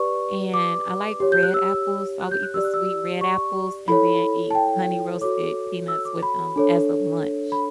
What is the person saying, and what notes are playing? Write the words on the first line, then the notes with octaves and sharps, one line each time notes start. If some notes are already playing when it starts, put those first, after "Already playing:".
and I like red apples, so I would eat the sweet, red apples and then eat Honey Roasted Peanuts with them as a lunch.
Already playing: G4 B4 D5 C#6
D6
G4 C#5
G6
F#6
E6
F#6
G6
F#6
G4 D5 E6
F#6
E6
C#6
E4 A4 C#5 B5
A5
G5
F#4 A4 C#5 D6
E6
D6
B5
D4 A4 C#5
B5